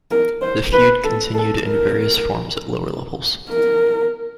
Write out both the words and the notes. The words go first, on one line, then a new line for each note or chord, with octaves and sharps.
The feud continued in various forms at lower levels.
A#4
C5
B4
A4
A4
A#4
A#4